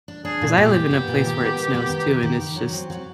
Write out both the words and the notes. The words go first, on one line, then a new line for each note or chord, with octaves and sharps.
'Cause I live in a place where it snows too, and it's just
D4
D4 G#4
A#2
A#2 G4
A#2
B3
A#2
D#3
B3
D#3
B3
D#3
D#3
D#3
D#3
F#3
C4
F#3